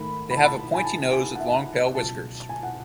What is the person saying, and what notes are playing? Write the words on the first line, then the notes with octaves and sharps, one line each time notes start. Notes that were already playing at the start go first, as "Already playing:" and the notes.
They have a pointy nose with long pale whiskers.
Already playing: G#2 D#3 A3 B5
B5
A5
B5
G#5
A5
G#5
F#5
E5
C#2 B2 F#3 A5
G#5
F#5